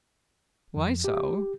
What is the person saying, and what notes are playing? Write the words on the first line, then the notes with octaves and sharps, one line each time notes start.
"Why so?"
F2
G4